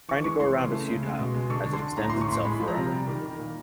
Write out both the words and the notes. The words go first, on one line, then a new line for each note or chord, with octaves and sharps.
Trying to go around is futile as it extends itself forever.
E3 C#6
G#3 C#6
E3 C6
C#3
A3
C#3
G#3
B2
G#3
D3 C#6
D3
C6
D3
A2 A#5
A2 C6
C#6
A2 C6
G#3 B5
F3
A#5
C3
G3
D#3
D#3
A#2